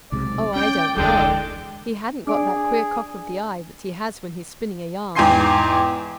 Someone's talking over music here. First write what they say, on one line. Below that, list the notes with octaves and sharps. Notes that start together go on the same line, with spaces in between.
"Oh, I don't know; he hadn't got that queer cock of the eye that he has when he's spinning a yarn."
B1 C3 G#3 D5
C#4 G5
F1 D2 E3 G#3 D4 A4 G5
D4 G#4 D5
E2 G#2 G5 G#5 C6 C7